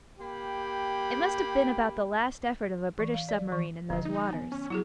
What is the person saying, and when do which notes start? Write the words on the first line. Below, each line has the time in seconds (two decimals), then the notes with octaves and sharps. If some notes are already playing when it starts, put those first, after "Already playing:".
'It must have been about the last effort of a British submarine in those waters.
0.19 A#3 G4 G5 B5
2.99 E3
3.14 F5
3.29 D5
3.52 E3
3.90 E1 D3 F3
4.05 D#4
4.33 B3
4.52 C#4
4.70 F#3 E4 F#4 G#4